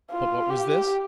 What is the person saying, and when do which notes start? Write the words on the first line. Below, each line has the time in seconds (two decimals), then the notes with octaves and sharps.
But what was this?
0.11 F4
0.50 G4